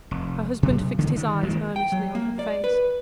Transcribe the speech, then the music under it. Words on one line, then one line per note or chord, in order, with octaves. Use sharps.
Her husband fixed his eyes earnestly on her face.
F1
B2 F#3
C#3 E3 G#3 B3
G2 D#3
D#3 G#3 A#3
G5
F#3
A#3
D5
B4